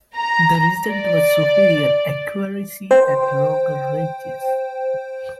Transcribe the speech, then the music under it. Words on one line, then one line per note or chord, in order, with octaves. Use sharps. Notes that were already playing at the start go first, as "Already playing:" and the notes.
The result was superior accuracy at longer ranges.
A#5
D5
C5 G5